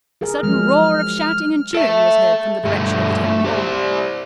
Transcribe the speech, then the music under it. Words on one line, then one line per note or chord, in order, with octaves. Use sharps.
A sudden roar of shouting and cheering was heard from the direction of the Town Hall.
G#4 A#4
F3 F#3 G#3 F6
A4 E5
G2 A3
A3
G4 C5 D5